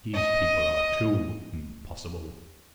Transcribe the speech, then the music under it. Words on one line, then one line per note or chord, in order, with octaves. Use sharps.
These people are too impossible.
D#5